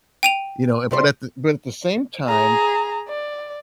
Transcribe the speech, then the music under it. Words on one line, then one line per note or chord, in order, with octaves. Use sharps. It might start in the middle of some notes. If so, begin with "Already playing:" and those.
You know? But at the but at the same time,
G5 D#7 F7
C3 G3 C5
G#4 A#5
D5